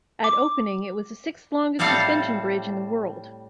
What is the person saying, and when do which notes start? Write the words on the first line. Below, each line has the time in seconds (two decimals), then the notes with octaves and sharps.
At opening, it was the sixth-longest suspension bridge in the world.
0.24 D6
1.79 A2 G3 C4 A4 F5